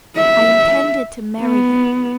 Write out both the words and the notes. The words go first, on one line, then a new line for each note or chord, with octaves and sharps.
I intended to marry him.
E5
B3